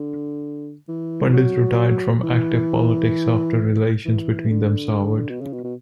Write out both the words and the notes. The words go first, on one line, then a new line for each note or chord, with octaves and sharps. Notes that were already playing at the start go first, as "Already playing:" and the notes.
Pandit retired from active politics after relations between them soured.
Already playing: D3
E3
F#3
E3
E3
D3
B2
C#3
B2
B2